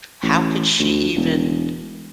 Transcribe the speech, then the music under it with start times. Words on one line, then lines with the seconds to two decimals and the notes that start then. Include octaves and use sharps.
"How could she even
0.23 A1
0.79 D2
1.16 E1